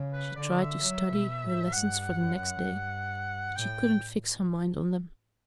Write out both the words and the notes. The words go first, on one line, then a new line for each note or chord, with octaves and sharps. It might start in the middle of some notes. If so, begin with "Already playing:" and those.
She tried to study her lessons for the next day, but she couldn't fix her mind on them.
Already playing: C#3
B4
D3 D5
E5
F#3
B2
A2
G2 F#5
F#2
G2
A2 G5